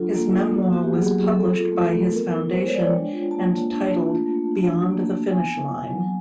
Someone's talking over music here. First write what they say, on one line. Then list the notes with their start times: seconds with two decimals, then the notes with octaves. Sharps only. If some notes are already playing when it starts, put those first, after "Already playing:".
His memoir was published by his foundation and titled "Beyond the Finish Line".
Already playing: F#3 D4 F4 A4
0.14 A#3
0.34 A#3
0.52 B3 F#4
0.63 F#4
0.73 E4 F#4
0.83 G4
0.93 F#3 G#4
1.12 F#3
1.32 C4 A4
1.53 F4
1.72 A3
1.92 A3
2.12 B3 A#4
2.31 E4
2.51 G#3 C5
2.66 C#5
2.72 G#3 D5
2.79 C#5
2.92 D4 G5
3.12 F4
3.31 A#3 A5
3.51 A#3
3.71 D4 A5
3.92 F4
4.11 A3
4.32 A3
4.52 D4
4.72 F#4
4.90 A#3
5.10 A#3
5.30 B3 G#5
5.50 E4
5.70 F#3
5.91 F#3